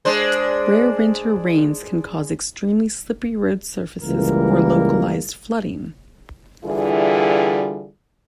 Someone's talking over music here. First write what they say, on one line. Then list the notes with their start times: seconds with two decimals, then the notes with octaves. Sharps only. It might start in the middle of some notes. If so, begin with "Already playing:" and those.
Rare winter rains can cause extremely slippery road surfaces or localized flooding.
0.05 G#3 D4 C5
4.02 C#2 E3 G3 A#3 A#4
6.64 D3 E3 G3 E4 F4 G#4